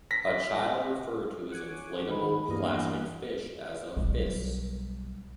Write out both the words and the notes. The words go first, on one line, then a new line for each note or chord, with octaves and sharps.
A child referred to his inflatable plastic fish as a "fis".
A#6 B6
C#4 F#5 G#5 D6
D#3 G#3 B5
E2 G2 A#3 D#5
B1 G3